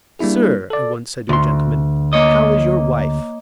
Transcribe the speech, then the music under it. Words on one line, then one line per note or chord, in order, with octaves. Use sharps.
"Sir," I once said to a gentleman, "how is your wife?"
G3 A#3 D4 E4 G#4
A4 D5
D2 C6
A#3 C#5 D#5